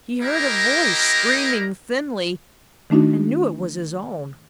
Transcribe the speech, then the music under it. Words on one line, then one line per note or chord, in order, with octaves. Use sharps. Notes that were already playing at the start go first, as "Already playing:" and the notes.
He heard a voice screaming thinly, and knew it was his own.
A#3 E4 G4 A#4 D#5 A#5
D#3 A3 D4 D#4 F#4